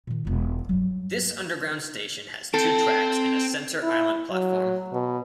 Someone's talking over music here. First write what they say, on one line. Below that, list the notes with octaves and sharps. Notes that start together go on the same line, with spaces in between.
This underground station has two tracks and a center island platform.
A#2 D#3
E1 F4
G2 F#3
C4 A4 G5
E4
F#3
B2